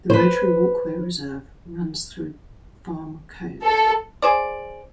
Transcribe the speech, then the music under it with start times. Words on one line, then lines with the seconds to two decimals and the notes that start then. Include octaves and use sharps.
The Rotary Walkway Reserve runs through Farm Cove.
0.10 B4 C5
3.64 A4
4.22 G#4 C5 D5